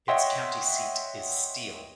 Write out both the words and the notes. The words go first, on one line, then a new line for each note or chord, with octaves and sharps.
Its county seat is Steele.
C#5 D#5 E5 F#5 G5 C6